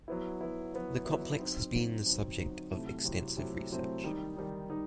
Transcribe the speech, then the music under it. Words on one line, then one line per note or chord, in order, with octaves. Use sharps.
The complex has been the subject of extensive research.
F#3 B3 E4
F#3 B3 E4
F#3 B3 E4
F#3 B3 E4
F#3 C4 D#4
F#3 C4 D#4
F#3 C4 D#4
F#3 C4 D#4
C3 F#3 A3 C4 E4
C3 F#3 A3 C4 E4
C3 F#3 A3 C4 E4
C3 F#3 A3 C4 E4
D#3 G3 D#4
D#3 G3 D#4
D#3 G3 D#4